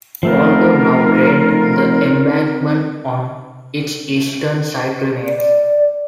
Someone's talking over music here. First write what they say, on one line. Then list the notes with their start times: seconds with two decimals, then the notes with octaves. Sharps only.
Although now drained, the embankment on its eastern side remains.
0.23 F3 A3 B3 C4 D#4 F4 A#4
5.26 D5